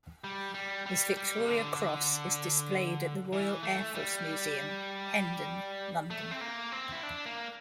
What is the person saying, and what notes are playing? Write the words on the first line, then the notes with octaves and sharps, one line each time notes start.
His Victoria Cross is displayed at the Royal Air Force Museum, Hendon, London.
G3
G3
G3
G3
C3
D3
E3
A3
G3
A3
C4
A#3
C4
E4
D4
A#3